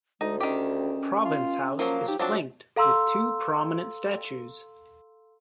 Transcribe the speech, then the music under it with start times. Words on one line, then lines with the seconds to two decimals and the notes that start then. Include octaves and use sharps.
Province House is flanked with two prominent statues.
0.21 D2 G#3 D#4
0.40 D#3 C#4 G4
1.25 F4
1.79 F3 F#3 A#3
2.07 D#4 G4
2.19 F3 F#3 C4 D4 F#4
2.76 A4 F5 A#5 C6 E6